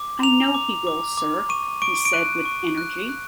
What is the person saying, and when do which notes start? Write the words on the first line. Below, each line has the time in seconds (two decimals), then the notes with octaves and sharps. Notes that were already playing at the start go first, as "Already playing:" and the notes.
'I know he will, Sir,’ he said, with energy.
Already playing: D6
0.22 A#5 F7
0.54 D6
0.87 D6
1.17 D6
1.49 C#6 D#7
1.82 C#6 D7
2.05 D7
2.13 F#6 D#7
2.45 C#6
2.78 F#6
3.09 F#6